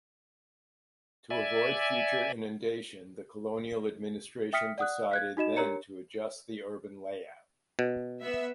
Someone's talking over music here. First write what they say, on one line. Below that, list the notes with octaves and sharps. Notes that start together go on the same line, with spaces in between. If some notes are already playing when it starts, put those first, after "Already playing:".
To avoid future inundation, the colonial administration decided then to adjust the urban layout.
D5 E5 G#5
E5 G5 D#6 F6 B6 C#7
D5 F#5 D#6 F#6
F5 F#6 G#6
D#4 F#4 D#5 E7
D4 G4 A#4 C#5 A#5 C#7
B2
B3 E5